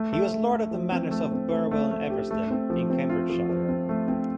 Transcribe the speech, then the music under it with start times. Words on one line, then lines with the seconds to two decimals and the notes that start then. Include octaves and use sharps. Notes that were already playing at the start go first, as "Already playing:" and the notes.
He was Lord of the Manors of Burwell and Eversden, in Cambridgeshire.
Already playing: A3
0.13 A3
0.32 A3
0.51 A3
0.71 F3
0.92 C4
1.11 A3
1.32 C4
1.51 A3
1.71 A3
1.91 A3
2.10 G4
2.31 A3
2.51 C4
2.70 F3
2.90 C4
3.09 F4
3.30 F3
3.49 F3
3.69 C4
3.89 A3
4.08 C4